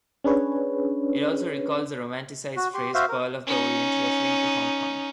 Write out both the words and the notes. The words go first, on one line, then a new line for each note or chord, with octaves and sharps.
It also recalls the romanticised phrase "Pearl of the Orient" referring to Hong Kong.
C#4 D4 G#4 B4 C#5
F#4
G4 C6
F#4 C5 E5 F5
A#4
C#4 D#4